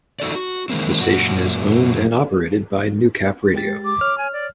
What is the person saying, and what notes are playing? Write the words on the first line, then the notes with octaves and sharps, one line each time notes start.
The station is owned and operated by Newcap Radio.
D#4 F#4 A4 D5
F#4
D#3 E3 G#3 A#3 C4
F#2 A#2 F#4
G#3 G4 A6
D6
C#5 F6
G#5
D5